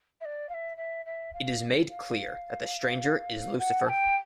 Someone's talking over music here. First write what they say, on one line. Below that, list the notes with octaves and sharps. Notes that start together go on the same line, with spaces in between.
It is made clear that the stranger is Lucifer.
E5
D5
F5
E5
E5
E5
F5
F5
F#5
A5
G5